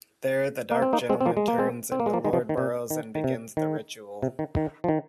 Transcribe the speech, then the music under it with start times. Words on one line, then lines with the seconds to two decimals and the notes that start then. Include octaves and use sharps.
There, The Dark Gentlemen turns into Lord Burroughs and begins the Ritual.
0.71 A#3
0.82 C4
0.93 A#3 D#4
1.09 G#3 C4
1.21 C4
1.26 F3 A#3
1.37 G#3
1.48 A#3
1.58 G#3 C4
1.92 C4
2.00 A#3
2.06 G#3
2.13 F3 A#3
2.25 D#3 G#3
2.33 C3 F3
2.49 D#3
2.58 C3
2.91 D#3
3.15 D#3
3.24 C3
3.57 D#3
4.22 C3
4.39 D#3
4.57 D#3
4.84 F3
4.88 D#3